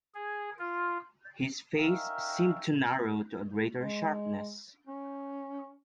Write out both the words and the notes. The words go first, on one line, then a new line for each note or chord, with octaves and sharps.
His face seemed to narrow to a greater sharpness.
G#4
F4
C#4 D#4 A#4 E5 F5 G5
G#3
C#4